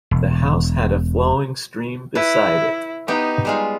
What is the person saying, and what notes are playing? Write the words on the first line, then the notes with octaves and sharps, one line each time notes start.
The house had a flowing stream beside it.
E1
E4 B4
B3 D#4 G4
G3 G#3 F4